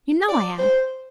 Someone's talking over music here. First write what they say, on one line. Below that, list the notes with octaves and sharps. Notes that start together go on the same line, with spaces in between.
You know I am!
D5
C5